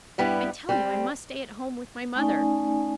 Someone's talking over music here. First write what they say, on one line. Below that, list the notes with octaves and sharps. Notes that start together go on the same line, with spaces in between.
I tell you, I must stay at home with my mother.
G2 G3 B3 E4 G4
G3 C4
A3 C#4 D#4 D5 G#5